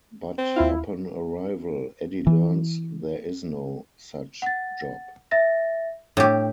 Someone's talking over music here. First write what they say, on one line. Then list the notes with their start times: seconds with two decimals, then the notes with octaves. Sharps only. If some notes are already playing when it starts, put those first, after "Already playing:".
But upon arrival, Eddy learns there is no such job.
0.38 C4
0.56 D#2 E4 F4 F5
2.27 E3
4.42 F#5 A6
5.31 E5 A6 A#6
6.17 A2 D4 G4